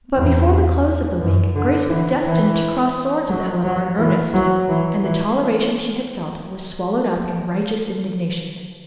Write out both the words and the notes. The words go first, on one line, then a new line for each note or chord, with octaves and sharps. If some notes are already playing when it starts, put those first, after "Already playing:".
But before the close of the week Grace was destined to cross swords with Eleanor in earnest, and the toleration she had felt was swallowed up in righteous indignation.
E2
F#2
D3
E3
E3
F#3
F#3
E3
F#3
E3
E3